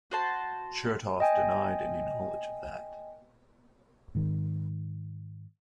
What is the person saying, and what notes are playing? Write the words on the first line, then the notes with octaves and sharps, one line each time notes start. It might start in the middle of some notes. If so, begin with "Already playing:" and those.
Chertoff denied any knowledge of that.
F#4 C5 A5
D#5 G5 G#5
G#2 D#3